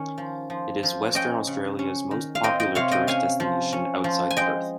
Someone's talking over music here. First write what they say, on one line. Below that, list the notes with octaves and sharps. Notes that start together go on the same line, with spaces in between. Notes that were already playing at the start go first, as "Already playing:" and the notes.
It is Western Australia's most popular tourist destination outside Perth.
Already playing: D#3 C#4
F3
F3
F3
C#4 D#5 G5
C#3
C#4
D#3
F5
C4 D#5 G5
D#5 G5
C3 C#5 F5
D#5 G5
C#4 F5 G#5
F3
C#4
F3
G#5
G#3 D#5 G5